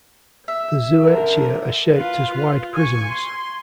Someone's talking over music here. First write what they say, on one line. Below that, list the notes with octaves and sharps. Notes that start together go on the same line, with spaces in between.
The zooecia are shaped as wide prisms.
E5
D3 A#4
F4 B4
F4
G#5 C#6
C6